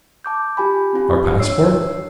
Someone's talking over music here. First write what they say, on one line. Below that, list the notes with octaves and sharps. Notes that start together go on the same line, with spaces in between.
"Our passport?"
A5 D6 G6
F4 G4 G#5 B5
C4 D4 F4 G4
D4 C#5 E6 C7